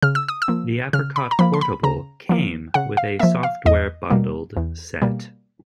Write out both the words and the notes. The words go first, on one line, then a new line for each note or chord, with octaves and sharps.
The Apricot Portable came with a software bundled set.
C#3 F6
E6
D#6
E6
F3 A#3
C#3 F6
B5
A#5
F3 A#3 B5
C6
B5
C#3 A#5
F3 A#3
C#3 F#5
F5
F3 A#3 E5
F5
E2 D#5
B2 G3 A#3
E2
B2 G3 A#3